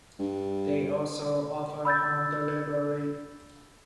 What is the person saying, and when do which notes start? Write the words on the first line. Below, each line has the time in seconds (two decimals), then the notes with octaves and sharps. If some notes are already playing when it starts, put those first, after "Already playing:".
They also offer home delivery.
0.19 G2
1.85 B5 E6 G6 A6